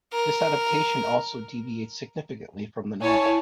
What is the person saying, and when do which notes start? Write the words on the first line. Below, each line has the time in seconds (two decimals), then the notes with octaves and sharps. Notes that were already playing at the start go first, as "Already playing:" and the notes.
This adaptation also deviates significantly from the novel.
0.13 A#4
3.01 E4 C#5 G#5 A5